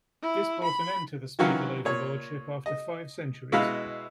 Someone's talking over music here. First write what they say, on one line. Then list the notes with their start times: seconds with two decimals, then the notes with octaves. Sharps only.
This brought an end to the Spiegel overlordship after five centuries.
0.22 E4
0.63 B5
1.39 D#3 E3 F#3 C#4 F4 F#4
1.85 A#2 C#5
2.66 D#5
3.52 B2 G#3 E4 F5 B5